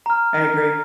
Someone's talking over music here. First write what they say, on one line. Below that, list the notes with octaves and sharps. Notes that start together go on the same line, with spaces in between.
I agree.
A#5 F6